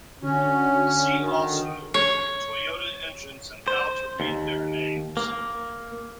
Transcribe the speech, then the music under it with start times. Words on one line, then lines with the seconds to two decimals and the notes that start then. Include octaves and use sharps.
See also: Toyota engines and how to read their names.
0.22 D3 C#4 F#4
1.19 D#3
1.94 C#5
3.68 C5
4.20 D#2
5.17 A#3